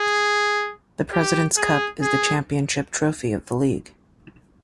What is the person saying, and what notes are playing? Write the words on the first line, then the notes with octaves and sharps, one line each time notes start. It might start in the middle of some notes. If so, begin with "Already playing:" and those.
The President's Cup is the championship trophy of the league.
Already playing: G#4
G4
G#4
G#4